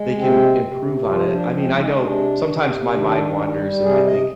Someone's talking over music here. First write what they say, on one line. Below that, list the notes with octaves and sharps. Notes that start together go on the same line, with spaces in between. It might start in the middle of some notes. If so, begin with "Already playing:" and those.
they can improve on it. I mean, I know sometimes my mind wanders, and I think
Already playing: G#3
C3 C4
C3
F3 F4
D4
G#3 C4
D#4
C3 D4
C3
D#3 D4
G3
C3 G#4
D#5